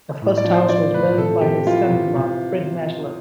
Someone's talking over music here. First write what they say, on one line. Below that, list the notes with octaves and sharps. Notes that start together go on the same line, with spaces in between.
The first house was built by his son-in-law, Fred Maechler.
A2
D5
F3
C5
F3 D5
A2 B4
C3 A4
C3 G4
E3 F4
C3
C3